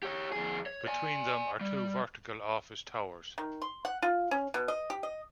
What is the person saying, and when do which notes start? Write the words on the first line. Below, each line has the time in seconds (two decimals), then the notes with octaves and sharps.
Between them are two vertical office towers.
0.03 G4 C#5
0.32 F2 G#4
0.66 C#5
0.87 D5 G#5
1.61 G3
3.38 D#3
3.62 C6
3.85 F#5
4.02 F4
4.31 C#4
4.54 B2
4.68 D#5
4.90 G4
5.03 D#5